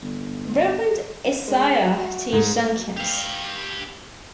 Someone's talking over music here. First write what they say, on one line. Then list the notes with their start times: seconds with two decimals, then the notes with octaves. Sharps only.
Reverend Isaiah T. Jenkins.
0.02 G1
1.48 G#3
1.86 F#4
2.32 G#2
2.97 G4 F5